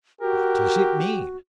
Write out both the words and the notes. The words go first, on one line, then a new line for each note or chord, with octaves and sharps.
What does it mean?
F#4 G4 A#4